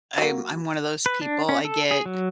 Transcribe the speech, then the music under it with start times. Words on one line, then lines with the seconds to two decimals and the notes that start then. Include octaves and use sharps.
I'm I'm one of those people, I get,
0.18 F#3 A#3
1.06 B4
1.21 D4
1.49 C#4
1.65 A4
1.91 G#4
2.06 F#3